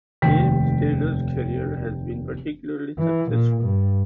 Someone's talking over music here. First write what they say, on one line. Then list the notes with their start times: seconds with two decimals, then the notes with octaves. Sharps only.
James Taylor's career has been particularly successful.
0.22 F1 D#2 G5 B6
2.98 E3
3.31 A#2
3.62 G2